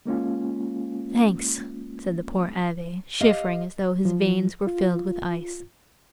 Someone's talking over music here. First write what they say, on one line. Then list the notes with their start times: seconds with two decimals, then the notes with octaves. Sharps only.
"Thanks," said the poor abbe, shivering as though his veins were filled with ice.
0.06 G#3 A#3 C#4 F4
3.21 G4 D#5 F5
4.05 F3
4.67 F4